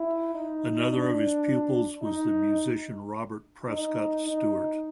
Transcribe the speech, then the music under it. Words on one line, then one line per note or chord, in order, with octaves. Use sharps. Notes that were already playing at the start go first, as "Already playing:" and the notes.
Another of his pupils was the musician Robert Prescott Stewart.
Already playing: E4
D#4
D4
D#4
D#4
D#4